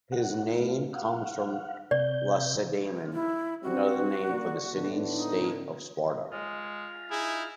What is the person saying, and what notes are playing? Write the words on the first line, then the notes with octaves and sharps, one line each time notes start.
His name comes from Lacedaemon, another name for the city state of Sparta.
F#5
A3 F4
F5 F#5
C3 D5 G6
E4
G3 C4 F#4
A#3 D5
A2 D3 B3
D#4
G#3 F4
D#4 E4 G#4